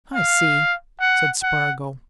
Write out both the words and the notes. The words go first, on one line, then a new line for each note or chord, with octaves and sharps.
"I see," said Spargo.
F5
F#5
F#5